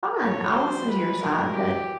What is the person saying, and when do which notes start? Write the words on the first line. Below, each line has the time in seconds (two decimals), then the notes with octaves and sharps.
fine, I'll listen to your side, but
0.22 F3 G3 C#5
0.44 E3 F#3
0.55 C5
0.67 F3 G3
0.84 G#3
0.88 F3 G3 B4
1.04 F#3 G#3
1.21 G3 A3 A#4
1.37 F#3 G#3
1.53 E3 F#3 G4